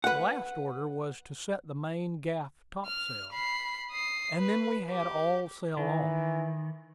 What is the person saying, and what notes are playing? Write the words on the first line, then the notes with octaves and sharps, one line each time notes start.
The last order was to set the main gaff-topsail; and then we had all sail on.
B4 F#5
F6
B5 C7
D#6 C7
B4
G4
D#3 E3